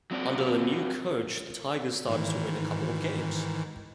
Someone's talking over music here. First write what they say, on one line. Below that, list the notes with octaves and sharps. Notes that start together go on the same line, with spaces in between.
Under the new coach the Tigers started to win a couple of games.
F#3 C4 F#4 D5
G#2 D#3 E3